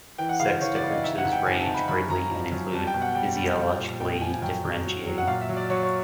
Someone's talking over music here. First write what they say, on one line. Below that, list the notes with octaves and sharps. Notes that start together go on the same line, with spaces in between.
Sex differences range greatly and include physiologically differentiating.
E3 G5
F#5
C#3 F5
C5
E3 C#5
D5
C#3
D#5
G#2 E5
F#5
G#2
G5
G#2 G#5
A5
G#2
B5
F#2 B5
F#2 A#5
F3
F#2
G3 A5
G5
B2
F#5
G3 G5
G3
F3
A#2
A#2 G5
F3 G#5
G#5
F#2 G5
F#2
F#3
F#3
F#5
A#2 F5
E5
F#3
D5
F#3 C#5
C#5